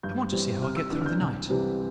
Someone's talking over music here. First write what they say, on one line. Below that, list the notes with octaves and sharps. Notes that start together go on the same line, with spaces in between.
I want to see how I get through the night.
G2 G6
E3 G3 C4
C3 F6
E6
E3 B3 D4 E6
F6
G6
C2
C3 E3 G3 C4